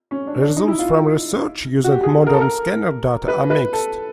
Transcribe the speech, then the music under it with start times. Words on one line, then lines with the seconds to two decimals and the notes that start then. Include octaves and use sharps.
Results from research using modern scanner data are mixed.
0.11 C#4
0.27 D4
0.42 D4
0.57 D#4
0.68 E4
0.79 F4
1.84 F#4
1.92 G4
2.03 G#4
2.27 A#4
2.33 A4
2.41 A#4
3.28 B4
3.50 B4
3.73 A4